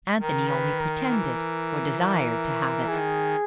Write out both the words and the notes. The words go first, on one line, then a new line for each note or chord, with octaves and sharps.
Anthony only pretended or desired to have it.
D#3 A#4
B4
A#4
E3
A#4
D#3 G#4